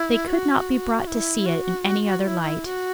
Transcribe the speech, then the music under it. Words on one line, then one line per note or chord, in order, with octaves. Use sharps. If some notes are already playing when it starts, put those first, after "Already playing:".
They could not be brought to see it in any other light.
Already playing: E4
F#4
E4
F#4
E4
F#4